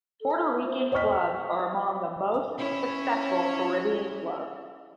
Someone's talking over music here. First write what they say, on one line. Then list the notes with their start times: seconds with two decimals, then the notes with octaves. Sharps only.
Puerto Rican clubs are among the most successful Caribbean clubs.
0.21 A4
0.34 E5
0.65 C5
0.92 C5 D#5 G5 C#6 F6 B6
2.57 C#4 E4 C#5